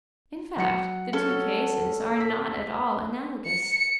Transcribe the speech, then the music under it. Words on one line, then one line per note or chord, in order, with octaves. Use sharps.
In fact, the two cases are not at all analogous.
F#3 F#5 C#7
C#4 A4
E6 B6
C#7